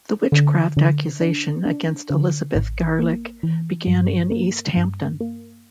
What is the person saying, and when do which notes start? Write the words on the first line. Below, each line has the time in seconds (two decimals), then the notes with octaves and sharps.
The witchcraft accusation against Elizabeth Garlick began in East Hampton.
0.32 D3
0.77 D3
1.21 D4
1.65 D4
2.10 D3
2.55 A1
2.99 A#3
3.43 E3
3.87 G2
4.31 A#3
4.77 G2
5.21 A#3